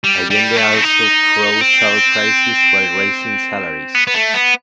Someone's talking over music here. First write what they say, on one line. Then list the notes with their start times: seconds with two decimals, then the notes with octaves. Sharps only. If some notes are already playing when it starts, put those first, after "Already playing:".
Allende also froze all prices while raising salaries.
0.04 G3
0.30 G3
0.56 A3
0.74 C4
0.83 D#4
1.61 C4
3.95 B3
4.07 B3
4.14 A3
4.34 B3